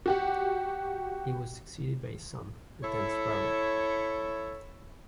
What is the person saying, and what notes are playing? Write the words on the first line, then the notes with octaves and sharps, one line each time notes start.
He was succeeded by his son, the tenth Baronet.
F#4 G4 F#5
E4 A4 C#5